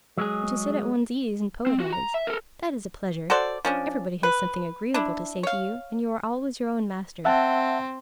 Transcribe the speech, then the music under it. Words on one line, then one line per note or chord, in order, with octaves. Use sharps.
To sit at one's ease and poetise--that is a pleasure; everybody has something agreeable to say to you, and you are always your own master.
F#3 G#3 G#4
C4
F#4 G4
A#5
E5
A4 A#4
F#4 A4 C5 D5
F3 C#4 D4
B4
D4 E4
C#5 F5
C4 E5 F#5 A5